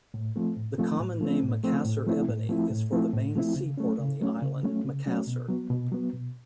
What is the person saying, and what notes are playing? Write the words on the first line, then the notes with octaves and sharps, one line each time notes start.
The common name Makassar ebony is for the main seaport on the island, Makassar.
A2
F3 A3 C4
A2
F3 A3 C4
A2
F3 A3 C4
A2
F3 A3 C4
A2
F3 A3 C4 E4
A2
F3 A3 C4 E4
A2
F3 A3 C4 E4
A2
F3 A3 C4 E4
C#3
F#3 A3 C#4
C#3
F#3 A3 C#4
C#3
F#3 A3 C#4
C#3
F#3 A3 C#4
B2
F#3 B3
B2
F#3 B3
B2